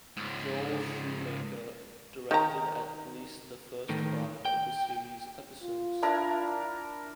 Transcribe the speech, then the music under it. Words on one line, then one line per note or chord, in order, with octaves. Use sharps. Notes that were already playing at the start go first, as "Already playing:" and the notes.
Joel Schumaker directed at least the first five of the series' episodes.
C#2 G#2
D#3 A#5
A2 D#3
G5
F4
D4 E4 A#4